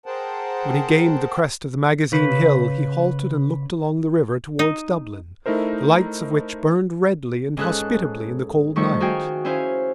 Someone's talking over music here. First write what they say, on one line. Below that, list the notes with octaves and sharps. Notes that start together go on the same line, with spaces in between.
When he gained the crest of the Magazine Hill he halted and looked along the river towards Dublin, the lights of which burned redly and hospitably in the cold night.
G#4 A#4 C5 F#5 G5 A5
C#3 B4
D#4
A3 D#4 E4 A#4 C5
G#2 C#4 G#4 A4 B4 F#6
D#3 F3 G3 A3 C#6
D#4 F#4 G#4 F5 G5 G#5
C#4 E4 C5 F5 G#5